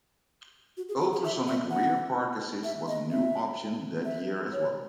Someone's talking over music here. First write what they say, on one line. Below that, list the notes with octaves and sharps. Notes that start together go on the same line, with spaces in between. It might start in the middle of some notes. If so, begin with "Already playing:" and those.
Ultrasonic rear park assist was a new option that year as well.
F#4
G#4
F#4
G#4
E5
E5
F#5
E5
D#5
E5
E5
C#5